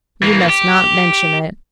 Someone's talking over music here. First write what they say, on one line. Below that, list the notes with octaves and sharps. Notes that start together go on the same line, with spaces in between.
You must not mention it.
E3 A#3
G4